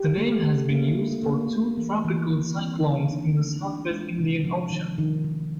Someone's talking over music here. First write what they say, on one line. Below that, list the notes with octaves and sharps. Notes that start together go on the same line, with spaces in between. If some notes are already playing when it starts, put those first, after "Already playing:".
The name has been used for two tropical cyclones in the Southwest Indian Ocean.
Already playing: G4
A3
A3
A#3
D4
A#3
B3
E3
E3
A3
C4
D#4
D4
A3
D4
G#3
C3
F3
D#3
D#3
D#3